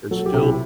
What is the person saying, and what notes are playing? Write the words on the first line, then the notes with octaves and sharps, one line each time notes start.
and still
F#3 A4
G4
C3
E4